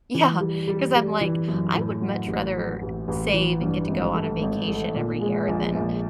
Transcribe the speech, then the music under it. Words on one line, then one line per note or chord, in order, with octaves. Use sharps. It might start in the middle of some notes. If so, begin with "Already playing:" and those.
Yeah, 'cause I'm like, "I would much rather save and get to go on a vacation every year than
E3
G3
G3
G3
E3
F#2
A2
F#3
A1
F#3
A1
A1
E3
G2
G#1
A3
G#1
A3
A#2
G#3
A#1
A#1